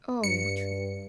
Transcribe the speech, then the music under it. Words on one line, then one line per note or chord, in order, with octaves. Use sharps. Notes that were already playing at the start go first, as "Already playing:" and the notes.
Oh, true.
G2 C#7